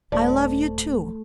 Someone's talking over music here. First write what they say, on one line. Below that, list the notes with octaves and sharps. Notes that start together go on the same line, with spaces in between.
I love you too....
D#1 A3 C5 D5 A5